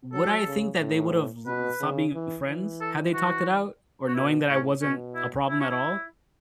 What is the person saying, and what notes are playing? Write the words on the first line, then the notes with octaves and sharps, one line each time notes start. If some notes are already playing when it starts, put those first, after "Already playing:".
would I think that they would've l l stopped being friends had they talked it out, or knowing that I wasn't a problem at all?
F#3 A4
C#3
A2
B2 B4
C#3
E3
E3
A4
F#4
F#4
B2 E4
A2 C#4
B2 C#4
E4
E4
C#4
E4